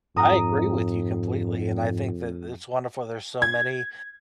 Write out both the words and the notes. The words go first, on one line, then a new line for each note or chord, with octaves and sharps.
I agree with you completely, and I think that it's wonderful there's so many,
F2 G#2 A#5 D#6
G#6